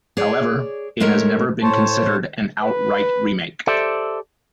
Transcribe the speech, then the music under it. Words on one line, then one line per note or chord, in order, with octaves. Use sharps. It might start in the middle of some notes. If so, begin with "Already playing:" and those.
However, it has never been considered an outright remake.
G#4 C#5 D5
A2 G#3 A3 A#4 C#5
A2 C5 C#5 A5
B4
G4 A4 C5 D5 E5